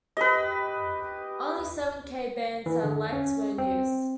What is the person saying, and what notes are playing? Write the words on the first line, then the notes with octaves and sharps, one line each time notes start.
Only seven K band satellites were in use.
G4 B4 D#5
E3
D3
C#4
C4